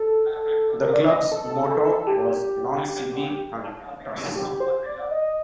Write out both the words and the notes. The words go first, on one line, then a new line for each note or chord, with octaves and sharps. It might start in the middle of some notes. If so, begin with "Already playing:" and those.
The club's motto was "Non Sibi Cunctus".
Already playing: A4
A#4
D5
D#5
D#5
A4
A4
A4
A4
A4
G4
G4
C5
D5
D#5